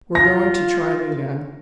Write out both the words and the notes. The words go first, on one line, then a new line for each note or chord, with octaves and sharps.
We're going to try it again.
F4 A#6